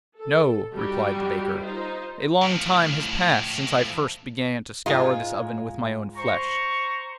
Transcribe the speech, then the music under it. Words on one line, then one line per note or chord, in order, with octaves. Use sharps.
'No,' replied the baker; 'a long time has passed since I first began to scour this oven with my own flesh.
A4
G3 D#4 F#4 G4
D#4 F4 C5
A2 F3
G#2 G#3 F4
C5 A#5 C#6